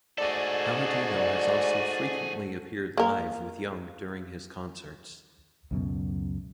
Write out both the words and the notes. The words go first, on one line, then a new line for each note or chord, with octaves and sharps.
Palladino has also frequently appeared live with Young during his concerts.
G#2 A3 F#4 G#4 A4 D5
A#3 A#4
C#2 F#2 B2